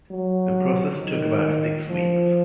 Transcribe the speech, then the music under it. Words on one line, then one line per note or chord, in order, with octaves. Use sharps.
The process took about six weeks.
F#3
D#3
F3